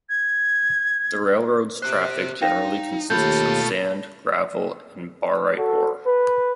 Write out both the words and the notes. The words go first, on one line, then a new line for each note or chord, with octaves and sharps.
The railroad's traffic generally consists of sand, gravel, and barite ore.
G#6
G4 C5 F#6
D#4 F5 G5 A#6
D#2 B2 A3 F4 A4 B5 G6
F#4 A4
B4